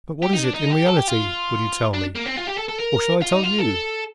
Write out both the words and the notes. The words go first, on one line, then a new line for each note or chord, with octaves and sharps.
But what is it, in reality, will you tell me? Or shall I tell you?
G4
D#4
D4
D#4
G4
A4
G4
F4
D4
A#3
C4
F4
G4
A4
A4
A#4
F4
D#4
F4
A4